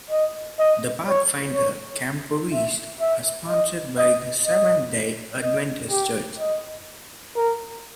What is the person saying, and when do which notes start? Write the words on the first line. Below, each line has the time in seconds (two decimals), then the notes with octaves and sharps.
The Pathfinder camporees are sponsored by the Seventh-day Adventist Church.
0.10 D#5
0.59 D#5
1.08 C#5
1.55 C#5
2.53 E5
3.01 E5
3.49 D#5
3.98 D#5
4.46 D#5
5.43 D#5
5.91 G4
6.39 D#5
7.36 A#4